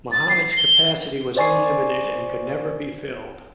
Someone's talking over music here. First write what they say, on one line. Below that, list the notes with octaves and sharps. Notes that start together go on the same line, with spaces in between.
Muhammad's capacity was unlimited and could never be filled.
A6
C7
G7
C5 D5 G#5 C#6 C7